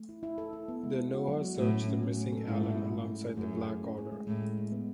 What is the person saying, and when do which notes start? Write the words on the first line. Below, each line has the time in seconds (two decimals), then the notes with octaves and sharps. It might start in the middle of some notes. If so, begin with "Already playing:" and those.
The Noah search the missing Allen alongside the Black Order.
Already playing: A3
0.09 E4
0.23 E4
0.38 A4
0.53 E4
0.68 B3
0.83 G#3
0.98 A4
1.14 F#4
1.28 F#3
1.43 A4
1.57 A2 F#4
1.73 C#4
1.89 C#4
2.03 C#4
2.17 A3
2.32 A4
2.48 G#2 E4
2.63 E4
2.78 E4
2.93 A3
3.07 A3
3.23 G#4
3.37 F#2 A3
3.53 G#4
3.67 A3
3.83 C#4
3.98 G#4
4.12 G#3
4.27 A2 G#3
4.43 G#3
4.57 G#3
4.72 B3